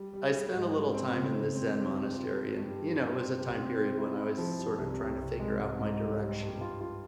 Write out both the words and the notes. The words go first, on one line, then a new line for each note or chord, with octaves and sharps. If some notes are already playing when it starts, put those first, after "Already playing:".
I spent a little time in this Zen monastery, and, you know, it was a time period when I was sort of trying to figure out my direction.
Already playing: G3
G3
G3
G#2
G3
C4
C#3
C4
C4
C4
G2
F4
G3
G2
G3
G2
C4
C3
C4
C4
E4
E4
F3
G2
C2
C2
C2
G#3
G#2
G#2
G3
G3
G2
F4
F4